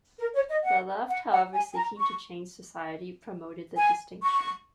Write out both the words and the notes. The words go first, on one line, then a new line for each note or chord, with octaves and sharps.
The Left, however, seeking to change society, promoted the distinction.
A#4
C#5
D#5
F#5
F#5
F#5
G#5
G#5
A#5
C#6
G#5
C#6